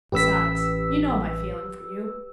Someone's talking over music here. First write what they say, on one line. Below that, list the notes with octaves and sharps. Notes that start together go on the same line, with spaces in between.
Besides, you know my feeling for you.
A1 G4 B4 E6 B6